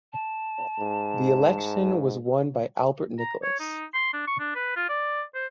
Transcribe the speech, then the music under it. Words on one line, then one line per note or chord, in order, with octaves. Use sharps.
The election was won by Albert Nicholas.
A5
G#2
A#5
C#5
D#4
C6
D4
C#6
D4
B4
F4
D5
C5